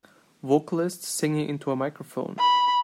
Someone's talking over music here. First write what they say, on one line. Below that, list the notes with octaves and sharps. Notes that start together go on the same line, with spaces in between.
Vocalist singing into a microphone.
B5